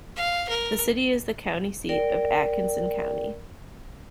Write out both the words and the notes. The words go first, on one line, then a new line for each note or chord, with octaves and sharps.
The city is the county seat of Atkinson County.
F5
A#4
A#4 D5 G5